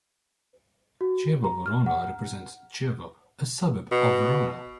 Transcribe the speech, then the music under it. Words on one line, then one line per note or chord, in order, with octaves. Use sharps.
Chievo Verona represents Chievo, a suburb of Verona.
F#4
A#5
F6
F#5
B2